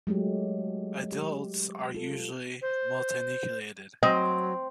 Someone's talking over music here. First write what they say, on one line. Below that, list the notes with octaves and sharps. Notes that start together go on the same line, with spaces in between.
Adults are usually multinucleated.
F#3 G#3 A3 G4
G4
F4 A4
C5
F#3 C4 D#5